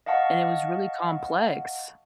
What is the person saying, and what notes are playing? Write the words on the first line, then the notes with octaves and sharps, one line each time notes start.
and it was really complex.
D#5 F5 F#5 A5 C#6